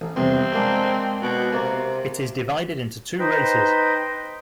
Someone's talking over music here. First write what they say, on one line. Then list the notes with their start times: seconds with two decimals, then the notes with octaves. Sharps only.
It is divided into two races.
0.01 A1
0.16 E2 G2 C3 C4
0.52 G#3 A#3 D4
1.22 B2
1.53 C3 A#3
3.19 D#4 B4 C5 D#5 G5